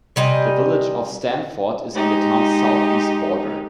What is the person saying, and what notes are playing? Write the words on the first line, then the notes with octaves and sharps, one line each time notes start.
The village of Stamford is on the town's southeast border.
C3 G3 D#5 G#5
G#3 D#4 G4